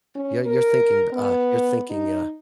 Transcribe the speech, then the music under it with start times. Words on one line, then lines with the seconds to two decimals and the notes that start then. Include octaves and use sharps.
Yeah, you're thinking, uh you're thinking, uh
0.15 C#4
0.47 A#4
1.13 B3
1.90 D#4